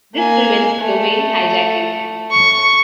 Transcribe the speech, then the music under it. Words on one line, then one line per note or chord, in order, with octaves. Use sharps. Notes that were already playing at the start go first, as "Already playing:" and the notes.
This prevents Domain hijacking.
A#3 G#5
A3
C#6